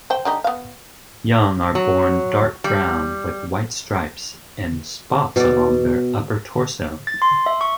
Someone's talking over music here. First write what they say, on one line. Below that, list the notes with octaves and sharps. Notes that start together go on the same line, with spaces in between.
Young are born dark brown with white stripes and spots along their upper torso.
C5 G5
D3 G3 D#4
B3 F5
F#3
G3
B2 D5
A6
C6
E5
C#6